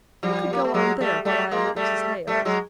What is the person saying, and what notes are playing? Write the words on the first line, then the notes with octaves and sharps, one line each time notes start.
You could go on there while I am at Mrs. Hale's.'
F3 G3
A#3
A3
F#3 G#3
G3 A3
G3 A3
G#3 A#3
G3 A3
G3 A3
F#3 G#3